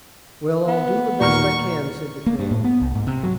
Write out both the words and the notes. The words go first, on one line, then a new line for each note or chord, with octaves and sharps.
"Well I'll do the best I can," said the colonel.
B3
D#2 A#2 A#5 C#6 F6
A#3
G2
A2
B3
C2
G#2
C3
F#3